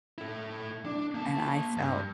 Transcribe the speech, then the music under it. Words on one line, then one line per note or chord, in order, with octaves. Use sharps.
and I felt
E4 A4
D4
A#3 A5
G2